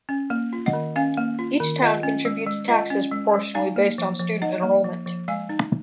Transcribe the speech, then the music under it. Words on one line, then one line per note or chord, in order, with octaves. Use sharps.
Each town contributes taxes proportionally based on student enrollment.
C#4
A#3
F4
D#5 F#5
D#3
C#4 F5 G#5
A#3
F4
D#3
F4 D#5 F#5
C#4
G#3
G#3
F4 D#5 F#5
C#4
G#3
G#3
D#4 F5 G#5
A#3
F3
F3
D#4 D#5 F#5
A#3
F3
F3
G#3 F5 G#5
D#4